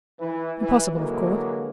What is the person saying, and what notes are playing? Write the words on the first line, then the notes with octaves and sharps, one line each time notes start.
Impossible--of course.
E3
E3
D3 E3 F#3 G#3 A#3